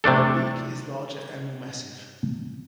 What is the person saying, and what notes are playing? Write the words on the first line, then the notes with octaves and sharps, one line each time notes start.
The beak is larger and more massive.
C3 A3 D4 A4